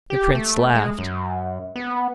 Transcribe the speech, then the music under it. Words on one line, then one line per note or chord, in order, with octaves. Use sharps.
The prince laughed.
G4
A3
G#3
F#2
B3